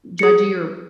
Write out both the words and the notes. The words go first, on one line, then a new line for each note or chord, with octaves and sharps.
judgy or
G#4 C#7